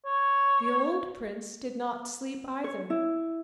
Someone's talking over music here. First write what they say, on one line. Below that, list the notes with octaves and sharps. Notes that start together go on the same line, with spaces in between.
The old prince did not sleep either.
C#5
C#5
E4